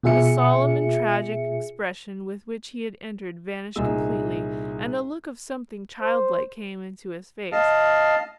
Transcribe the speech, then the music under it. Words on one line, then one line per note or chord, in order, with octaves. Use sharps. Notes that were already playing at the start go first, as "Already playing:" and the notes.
The solemn and tragic expression with which he had entered vanished completely, and a look of something childlike came into his face.
B2 F4 G#4 E5 C#7
C2 A#2 D#4 G#4 E6
C5
D#5 F5 A5